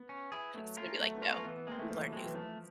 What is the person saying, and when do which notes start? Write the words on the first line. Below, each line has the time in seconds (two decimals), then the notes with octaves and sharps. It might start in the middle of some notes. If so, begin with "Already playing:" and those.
It's gonna be like, no, you learn new things.
Already playing: B3
0.09 C#4
0.32 E4 G#4
0.54 F#3 A3
0.77 A#3 C#4 F4 A#4
0.99 F#3 A3
1.14 B3
1.22 A#3 C#4 F4 A#4
1.30 B3
1.44 E3 B3
1.56 B3
1.67 G#3 A#3 C4
1.79 A3
1.89 E3 F3
2.01 F3
2.12 F#3 G#3 C4
2.24 E3
2.34 F3 A3